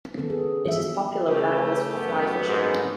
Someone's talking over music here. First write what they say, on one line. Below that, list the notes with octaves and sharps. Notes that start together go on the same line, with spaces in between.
It is popular with anglers for fly fishing.
D#3 B3 C#4 A4
G#4
E3 G#3 D4 E5
C#3 A3 G4
F#2 B3 B4
G#2